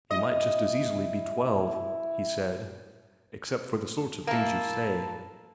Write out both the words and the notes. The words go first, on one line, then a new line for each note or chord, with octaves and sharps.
'You might just as easily be twelve,' he said, 'except for the sorts of things you say.'
E4 D#5
A#3 E4 A5